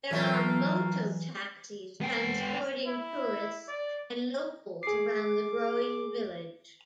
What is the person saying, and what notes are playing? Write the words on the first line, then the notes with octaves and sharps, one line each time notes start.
There are Moto-taxis transporting tourists and locals around the growing village.
E3 F#3 A3 A#3 F4 E5
B3 G5
E4
D5
G#4 D6 C7